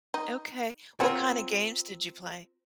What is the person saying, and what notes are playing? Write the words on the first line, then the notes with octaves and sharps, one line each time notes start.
Okay. What kinda games did you play?
D#4
C4 F4 A#4 C#5 F#5 G#5